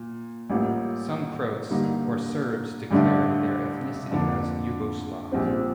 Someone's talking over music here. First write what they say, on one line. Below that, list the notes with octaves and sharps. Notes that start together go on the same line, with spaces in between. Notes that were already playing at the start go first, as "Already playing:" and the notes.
Some Croats or Serbs declared their ethnicity as Yugoslav.
Already playing: A#2
A1 A2 G3 A#3 F4
G2 D3 G3 A#3 D#4
A1 G2 D3 A3 D4
F2 D3 F3 A#3 D4
A#1 A#2 G3 C4